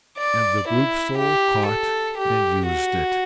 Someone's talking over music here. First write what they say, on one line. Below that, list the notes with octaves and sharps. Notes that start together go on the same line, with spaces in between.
And the Group-Soul caught and used it.
D5
E4
G4
A4
G4
F#4